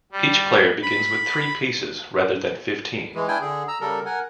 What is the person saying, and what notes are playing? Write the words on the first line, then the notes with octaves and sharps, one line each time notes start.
Each player begins with three pieces, rather than fifteen.
G3
B5
E3 G#3
D4 E4 G5 G#5
D3 G#4
A#5 E6
C#3 G3 A4 A#4
A#4 F#5 G#5